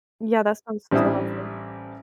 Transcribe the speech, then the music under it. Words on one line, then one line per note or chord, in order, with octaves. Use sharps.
Yeah, that sounds so helpful.
A1 G3 C4 D4 E4 D#6